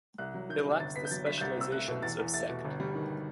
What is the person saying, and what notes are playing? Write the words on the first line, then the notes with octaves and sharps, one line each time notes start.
It lacks the specializations of sect.
C2 F#6
F#3
D#3 G6
C3
G1 A6
B3 B6
G6
F#3 A6
G2 B6
G6
C2 A6
C4 E6
A3 F#6
B2
E2 A6
E2
A3 A6
B2
G1
G3
D#3